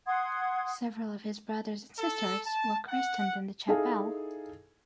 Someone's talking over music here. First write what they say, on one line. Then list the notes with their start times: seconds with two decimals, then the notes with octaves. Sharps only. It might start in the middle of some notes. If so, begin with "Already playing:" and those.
Several of his brothers and sisters were christened in the chapel.
0.07 F#5 C6 D#6 G#6
1.99 A4
2.46 A5
2.88 F#5
3.68 D#4 E4 G#4 A4 F5 G#5